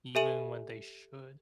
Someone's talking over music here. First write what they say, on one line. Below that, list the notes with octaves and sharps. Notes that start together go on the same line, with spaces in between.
even when they should.
G4 A4 E5 G#5 D#7 F#7